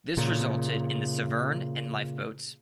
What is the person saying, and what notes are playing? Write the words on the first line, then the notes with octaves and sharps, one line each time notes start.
This resulted in the "Severn" and lifeboats.
A#2 C#3